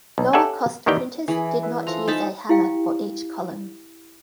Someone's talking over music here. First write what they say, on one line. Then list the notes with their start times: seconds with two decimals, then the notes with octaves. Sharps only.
Lower-cost printers did not use a hammer for each column.
0.18 B1
0.33 G4 A4 C#5 E5 F#5 G#5
0.86 D#2 D#3 E3 G4 D5 G5
1.28 E3 G#4 B5
1.63 B4 E5
1.87 F3 F4 A4 A#5
2.08 D#4 G#5 A5 B5
2.49 E4 G4 F5 G5